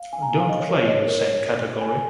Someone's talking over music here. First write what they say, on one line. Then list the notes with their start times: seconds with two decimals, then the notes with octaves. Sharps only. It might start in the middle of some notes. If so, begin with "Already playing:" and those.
Don’t play in the same category.
Already playing: F5
0.13 G#5
0.22 A#5
0.31 G#5
0.40 F5
0.49 D#5
0.60 C#5
0.69 A#4
0.78 C#5
0.87 D#5
0.96 C#5
1.07 A#4
1.16 C#5
1.81 G#5